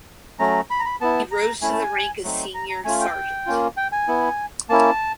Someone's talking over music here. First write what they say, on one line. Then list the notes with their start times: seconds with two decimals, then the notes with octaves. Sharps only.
He rose to the rank of senior sergeant.
0.39 F#3 A3 C#4 A#5
0.70 B5
0.80 A#5
0.85 B5
1.01 B3 E4 A5
1.31 A#5
1.62 A3 C#4 E4 G#5
1.72 A5
1.83 G#5
2.24 F#3 A3 C4 D#4
2.54 A#5
2.70 A#5
2.85 A3 C#4 F4 G#5
3.00 G5
3.46 A#3 C#4 F4
3.77 G5
3.92 G#5
4.08 B3 E4
4.69 A#3 C#4 E4 A5